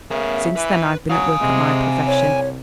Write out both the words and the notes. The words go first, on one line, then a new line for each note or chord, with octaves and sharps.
Since then I've been at work at my profession.
C#3 B3 A#4 E5
E3 B4
F#3 F5 G#5 D#6
C3 G#3
C2 C#5